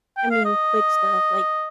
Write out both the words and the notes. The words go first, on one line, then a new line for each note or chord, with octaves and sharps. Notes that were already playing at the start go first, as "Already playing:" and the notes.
I mean, quick stuff, like,
G5
F5
D#5